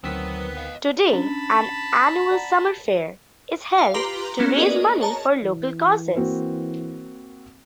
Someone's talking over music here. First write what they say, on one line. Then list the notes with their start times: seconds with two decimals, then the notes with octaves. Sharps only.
Today an annual summer fair is held to raise money for local causes.
0.04 D2 D#3 F#3 B3 C4 B6
0.57 D#5 F5
1.13 C#4 D4 A5 B5
2.31 D5 F#5 A#5
3.78 F5
3.94 F4 G4 B4 A#5 C6 D6
4.39 A#3 B3 C#4 E4
4.57 F#4 G#4 A#4 B4 D5 D#5
5.01 C#5 A5 A#5
5.43 E3
6.15 A#3 C4 F#4